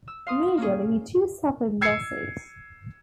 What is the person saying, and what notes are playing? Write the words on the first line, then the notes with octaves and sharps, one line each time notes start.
Initially, he too suffered losses.
E6
F5 C6 D#6
A#3 C#4 G#4
E6 G#6 C7 C#7